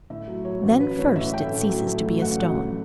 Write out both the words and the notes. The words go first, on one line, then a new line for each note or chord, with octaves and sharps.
Then first it ceases to be a stone.
A2 E5
F#3
F#3 C#5
A1
F#3 B4
A2 C#5
A1 E5
A3 G5
A2
F#3
A3
F#3
A1 F#5
F#3 F#5
F#3